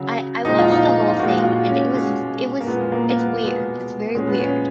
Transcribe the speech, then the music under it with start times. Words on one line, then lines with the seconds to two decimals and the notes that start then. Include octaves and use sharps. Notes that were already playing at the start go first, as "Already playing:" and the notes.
I I watched the whole thing and it was it was it's weird, it's very weird,
Already playing: C#3 F#3
0.45 A#2 F3 G#3 D#4
0.58 F4
0.72 D#4
1.08 F4
1.19 A#2 G#3 F#4
1.44 F4
1.68 C#4
1.93 B2 G#3
2.60 A#3
2.66 A#2 F3 G#3 B3
2.92 A#3
3.10 A#3
3.16 B3
3.41 B2 G#3 B3
4.15 A#2 F3 G#3 C#4
4.27 B3
4.39 C#4